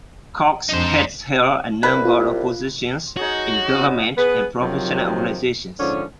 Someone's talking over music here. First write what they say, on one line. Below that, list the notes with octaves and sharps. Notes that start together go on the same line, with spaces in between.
Cox has held a number of positions in government and professional organizations.
F2 D4 D#4 C5
C2 B4
F4
D#4 F#4 G#4 C#5
B2 B3
B3 G#4 B4
C3 D#3 F3 F#3
G#2 D3 F3 C#4